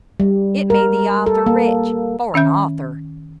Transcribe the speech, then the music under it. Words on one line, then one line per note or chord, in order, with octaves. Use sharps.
It made the author rich--for an author.
G3
A#4
A4
A#3
D#3 C#4 E5 G6